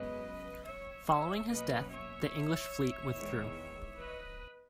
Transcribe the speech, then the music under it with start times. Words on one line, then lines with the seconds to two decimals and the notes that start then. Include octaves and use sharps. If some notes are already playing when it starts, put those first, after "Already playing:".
Following his death, the English fleet withdrew.
Already playing: F#2 C#3 G#3 B3 B4 D#5
0.64 C#5 E5
1.06 C#5 E5
1.48 B2 F#3 A#3 C#4 B4 D#5
1.89 C#5 E5
3.15 E2 D#3 G#3
3.98 B4 D#5